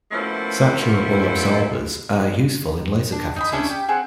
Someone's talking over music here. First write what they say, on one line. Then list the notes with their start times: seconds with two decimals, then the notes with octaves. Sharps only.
Saturable absorbers are useful in laser cavities.
0.11 B2 F3 A3 A#3 C#4 E4
3.12 D4
3.36 D#4 D#5 B5
3.52 C#4 D4 E4 E5
3.70 G4 G5
3.89 C4 G#4 F#5